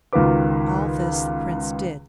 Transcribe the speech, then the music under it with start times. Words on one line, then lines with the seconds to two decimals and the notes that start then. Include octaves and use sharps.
All this the Prince did.
0.13 C#2 D#3 F4 F#4 B4 D6